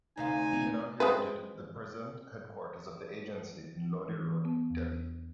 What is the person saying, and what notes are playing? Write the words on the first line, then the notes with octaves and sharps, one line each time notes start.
He inaugurated the present headquarters of the agency in Lodhi Road, Delhi.
D2 C3 D#4 F5 G#5
G#3 C4 B4
E3
B3
E2